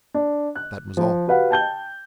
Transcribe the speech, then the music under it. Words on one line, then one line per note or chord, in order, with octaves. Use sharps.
That was all.
D4
F#6
F3
F#4 G4 B4 F5 F#5
G5 A5 G6 G7